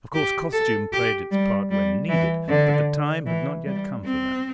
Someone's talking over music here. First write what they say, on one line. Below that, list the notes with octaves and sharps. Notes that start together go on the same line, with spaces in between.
Of course costume played its part when needed, but the time had not yet come for that.
G4
A4
G4
G3
G3
E3
D3
E3
G3
C4